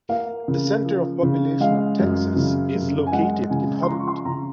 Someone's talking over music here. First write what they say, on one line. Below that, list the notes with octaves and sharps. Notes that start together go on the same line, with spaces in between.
The center of population of Texas is located in Holland.
A#3 F5
C#3
F3
C#3
G#3 F5
F#2
C#3
F#2
G#5
G#3 F#5
C#3 G#5
C6
F3 A#5
C#6
C6
C#3 A#5